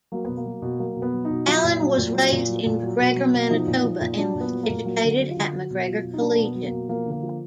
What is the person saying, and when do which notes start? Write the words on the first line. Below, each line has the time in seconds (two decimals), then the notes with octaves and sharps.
Allan was raised in MacGregor, Manitoba and was educated at MacGregor Collegiate.
0.12 F#3 A#3
0.25 B2 B3
0.37 A#3
0.45 F#3
0.62 B2
0.79 F#3 A#3
0.96 B2
1.02 B3
1.13 F#3
1.25 D#4
1.30 B2
1.47 F#3 F4
1.64 A#2
1.81 F#3
1.98 A#2
2.14 F#3
2.32 A#2
2.48 F#3
2.65 A#2
2.82 F#3
3.00 B2
3.16 F#3
3.33 B2
3.50 F3 D#4
3.67 A#2
3.84 F3
4.01 A#2
4.18 F#3 D4
4.35 A#2
4.40 B3
4.52 F#3
4.63 A#3
4.69 A#2
4.85 F#3 A#3
5.03 D3
5.19 F#3
5.31 F4
5.36 D3
5.53 F#3 F#4
5.70 B2
5.87 F#3 F4
6.04 B2
6.13 D#4
6.21 F#3 D4
6.33 B2 A#3
6.44 B3
6.55 F#3
6.66 A#3
6.72 B2
6.88 F3 A#3
7.06 D3
7.11 A#3
7.23 F3